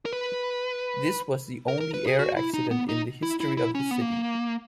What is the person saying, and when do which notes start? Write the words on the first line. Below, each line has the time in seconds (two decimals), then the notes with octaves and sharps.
This was the only air accident in the history of the city.
0.05 A#4
0.13 B4
1.68 A#4
1.80 A#4
1.94 B4
2.07 G#4
2.19 F#4
2.36 E4
2.54 D#4
2.71 B3
2.89 D#4
3.23 E4
3.40 E4
3.57 E4
3.75 C#4
3.91 B3
4.01 A#3